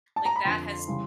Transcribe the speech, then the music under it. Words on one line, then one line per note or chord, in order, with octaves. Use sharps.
Like, that has
A5
A#5
B5
F2 D3 F3 C6
C#3 E3 G3